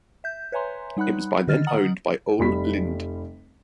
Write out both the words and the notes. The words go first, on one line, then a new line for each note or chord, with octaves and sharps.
It was by then owned by Ole Lind.
E5 G6
B4 C#5 E5 G#5 A#5 C6
G3 D#4 F#5 B5 F#6
D3 D#3 D#5 F6 A6
F#5 A#5 D#6 F#7
F1 G3 B5 B6